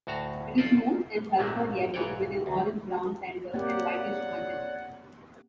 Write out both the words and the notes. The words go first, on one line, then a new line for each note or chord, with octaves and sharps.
It is smooth and sulphur yellow with an orange-brown centre and whitish margin.
D2 A2 F#4 A5 A#5
F4 A4 C5 D5 D#5
A#1 G#2 C3 F#3 A3 A#3
B1 G#2 E3 C#5 D5 G5
D2
A#3 C4 G4 C#5 D5 F#5